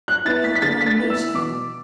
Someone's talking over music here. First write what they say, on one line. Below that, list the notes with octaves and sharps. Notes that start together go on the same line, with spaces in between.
How can I meet him?
F#6
B3 E4 A6
B6
B6
D3 A6
B6
A6
B3 E4
E6
B2 D6